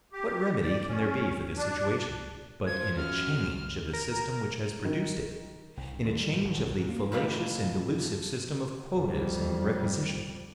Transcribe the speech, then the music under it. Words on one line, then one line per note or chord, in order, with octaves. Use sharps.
What remedy can there be for this situation, but in a change of the system which has produced it in a change of the fallacious and delusive system of quotas and requisitions?
G4
D5
C#4
D4
F4 C5 G#6
F#3 C#4 F6
A#4
D#3
C2
G2
D#2
G3
G#2
G#1
B1
G#2
A#3
F2 A2 C3 B4 F5 B5
F2 G3